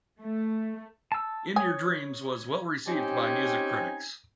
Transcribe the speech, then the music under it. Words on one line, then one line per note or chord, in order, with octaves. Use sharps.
"In Your Dreams" was well received by music critics.
A3
A5 E6
C#5 G#5 D#6
C4 C#4 D#4 G4 G#5